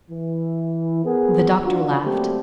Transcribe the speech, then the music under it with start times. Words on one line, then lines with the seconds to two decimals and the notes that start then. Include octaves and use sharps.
The doctor laughed.
0.10 E3
1.04 B3 G#4 A#4
1.64 D4 F4 F#4
2.04 F#3 G3 A3 A#3 C4 G4